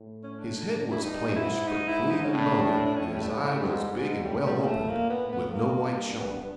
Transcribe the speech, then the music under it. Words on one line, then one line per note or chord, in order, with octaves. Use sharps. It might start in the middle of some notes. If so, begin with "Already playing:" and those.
His head was plainish, but clean and bony, and his eye was big and well opened, with no white showing.
Already playing: A2
C#4
D4
E4
G2 D#4
G#2 E4
D#4
E4
D#4
C#4
A2 D4
A2
D4
A2 C#4
G3
A3
G#3
A3
G#2 G3
G#2
A2 G3
G3
A#3
A3
A#2 A#3
B3
A2
B3
G2 A#3
B3
B3